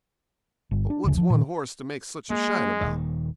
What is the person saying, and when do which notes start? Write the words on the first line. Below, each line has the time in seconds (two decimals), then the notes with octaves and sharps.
But what's one horse to make such a shine about?'
0.71 G1
0.90 D4
1.04 F#1 D2 C#3
1.17 F3
1.30 A#2 D#3
2.30 G#3 A#3
2.81 D#1 D#2 D#3